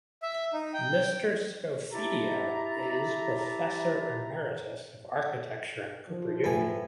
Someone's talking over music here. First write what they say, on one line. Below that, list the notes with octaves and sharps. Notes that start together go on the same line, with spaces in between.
Mr. Scofidio is Professor Emeritus of Architecture at Cooper Union.
E5
D#4
G5
E4 G4 E5 A5 A#5
F3
A2 A4 B4 G#5